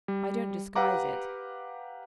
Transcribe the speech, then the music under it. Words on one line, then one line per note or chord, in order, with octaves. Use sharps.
I don't disguise it.
G3
G4 B4 F5 F#5 A#5 D6